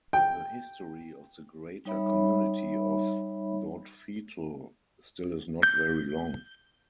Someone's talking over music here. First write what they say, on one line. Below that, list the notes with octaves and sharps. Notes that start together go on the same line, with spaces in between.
The history of the greater community of Dautphetal still is not very long.
G5
G3 D#4 C#5 E5 B5
G6